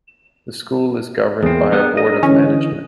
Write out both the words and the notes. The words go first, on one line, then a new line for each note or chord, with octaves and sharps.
The school is governed by a board of management.
E2 A#3 C4 G#4
G3 B3 D4 A#4
D#5
D3 E3 C#4